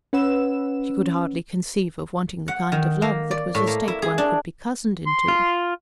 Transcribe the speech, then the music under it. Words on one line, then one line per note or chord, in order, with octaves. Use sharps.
She could hardly conceive of wanting the kind of love that was a state one could be cozened into...
C#4 B4 F#5 E6 E7
F#5
D#3
A#3
D5
A2
A#3
E4
G#4
D4
C6
F4